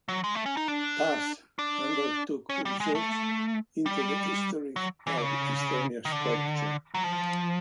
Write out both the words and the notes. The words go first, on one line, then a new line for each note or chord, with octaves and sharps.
Paas undertook research into the history of Estonian sculpture.
F#3
G#3
A3
C#4
D#4
D4
D4
C#4
G3
G#3
A3
G3
F#3
E3
D3
C#3
D#3
D3
F#3
F3